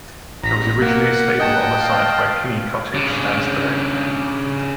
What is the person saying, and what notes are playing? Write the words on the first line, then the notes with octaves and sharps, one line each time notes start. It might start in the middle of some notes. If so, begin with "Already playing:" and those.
There was originally a stable on the site where Kinney Cottage stands today.
A1 A#5 B6
A#3 F#5
D#5 G5 A5
F5
C#3 D4